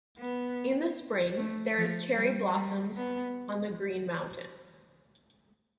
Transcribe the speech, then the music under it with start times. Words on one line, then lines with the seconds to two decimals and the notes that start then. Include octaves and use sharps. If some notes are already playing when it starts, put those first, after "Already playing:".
In the spring, there is cherry blossoms on the green mountain.
0.18 B3
1.37 A3
1.77 F3
2.16 G3
2.56 G3
2.96 B3